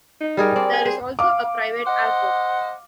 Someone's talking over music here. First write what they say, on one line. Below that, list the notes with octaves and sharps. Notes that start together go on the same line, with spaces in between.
There is also a private airport.
D#4
G3 G#4 A#4
C4 D5
G#5
G#4 C5
F5 D6
C5 D#5 F#5